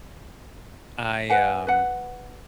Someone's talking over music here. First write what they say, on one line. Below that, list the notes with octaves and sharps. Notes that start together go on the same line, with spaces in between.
I, um,
B4 F#5 G#5
B4 F#5